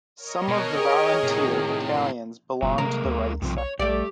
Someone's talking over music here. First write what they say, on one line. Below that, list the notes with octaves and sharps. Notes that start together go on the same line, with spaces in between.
Some of the volunteer battalions belong to Right Sector.
A#4 C#5 D#5
B2
G4 G#4
A2 C3 D#3
C6
F#1 A#2 F#3
C3 G#3 A#3 A#4
D2
B1 G2 C3 F3
C#5
A#1 A3 G4 D5